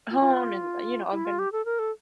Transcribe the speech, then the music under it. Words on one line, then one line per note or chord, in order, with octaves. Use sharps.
home and, you know, I've been
F4
F4
E4
F4
G4
A4
A#4
A4